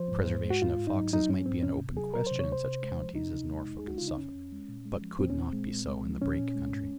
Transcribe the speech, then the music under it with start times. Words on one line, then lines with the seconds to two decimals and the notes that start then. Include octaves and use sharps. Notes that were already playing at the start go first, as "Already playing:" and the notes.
The preservation of foxes might be an open question in such counties as Norfolk and Suffolk, but could not be so in the Brake country.
Already playing: F3 C5
0.11 G#2
0.28 G#2
0.44 G#3
0.50 F#4
0.62 G#2 F4
0.79 G#2
0.87 D#4
0.96 F#3
1.12 F#3 D#4
1.29 G#2 C#4
1.46 G#2 C4
1.63 C3 C#4
1.80 C3
1.97 F#3 G#4
2.14 F#3 A#4
2.27 C3 C5
2.39 C#5
2.48 C3 C5
2.65 C3
2.82 G#3
2.99 F3
3.15 C3 D#4
3.34 C3
3.51 G#3
3.66 F2
3.78 G#4
3.84 G#3 F#4
3.98 C#3 F4
4.08 D#4
4.17 F2 C#4
4.35 F2
4.52 G#3
4.68 A#2
4.85 G#3
5.02 F3
5.19 A#2 C4
5.30 C#4
5.36 A#2 C4
5.53 G#3
5.70 A#2
5.88 G#3
6.04 F3
6.22 A#2 C#4
6.38 A#2
6.55 G#3
6.71 G#2